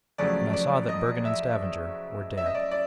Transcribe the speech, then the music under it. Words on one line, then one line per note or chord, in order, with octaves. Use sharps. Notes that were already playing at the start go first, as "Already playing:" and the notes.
And I saw that Bergen and Stavanger were dead.
F2 C#3 F#3 A3 D5
D5
D#5
E5
E5
D#5
D5
D5